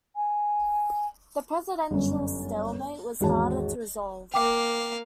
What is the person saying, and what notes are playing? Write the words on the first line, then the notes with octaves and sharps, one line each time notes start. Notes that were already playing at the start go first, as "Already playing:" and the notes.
The presidential stalemate was harder to resolve.
G#5
G1 F#2
G#1 E2 F#4 C#5 A5
A#3 F5 G5 D6